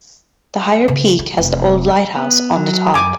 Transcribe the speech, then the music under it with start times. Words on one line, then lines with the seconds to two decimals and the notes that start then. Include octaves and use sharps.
The higher peak has the old lighthouse on the top.
0.88 C#3
1.19 E4
1.38 F1
2.16 B3
2.56 F#3
2.94 F#2 G#5 D6